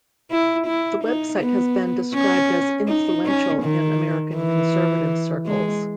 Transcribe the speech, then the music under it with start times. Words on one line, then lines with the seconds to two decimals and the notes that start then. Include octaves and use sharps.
The website has been described as influential in American conservative circles.
0.30 E4
0.67 E4
1.04 D#4
1.40 B3
2.14 C#4
2.88 D#4
3.25 C#4
3.62 D#3
4.35 E3
5.46 G#3